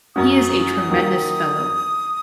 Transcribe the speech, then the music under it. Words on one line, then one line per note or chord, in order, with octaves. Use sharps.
He is a tremendous fellow.
F#2 F#3 C#4 F#4 D#6
D#2 D#3 F#3